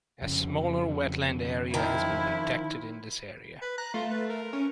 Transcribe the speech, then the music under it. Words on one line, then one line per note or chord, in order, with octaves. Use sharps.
A smaller wetland area has been protected in this area.
F2 C#3
D#3 F3 E4
B4
A#5 F#6
A3 F4
B4
A#4
C#4